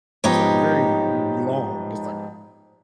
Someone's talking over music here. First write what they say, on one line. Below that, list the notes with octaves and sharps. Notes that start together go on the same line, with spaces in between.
it's like very l long, it's like
G#2 F3 B3 D#4 G4 C#5